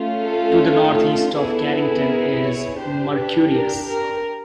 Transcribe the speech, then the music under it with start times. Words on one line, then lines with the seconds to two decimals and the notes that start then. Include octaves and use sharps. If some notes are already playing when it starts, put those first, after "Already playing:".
To the northeast of Carrington is Mercurius.
Already playing: A3 C#4 F4
0.24 A4
1.34 B3 E4 G#4 A4
2.06 A#4
2.42 C#5
2.79 D4 G4 C5
3.16 B4
3.51 A#4
3.89 A#4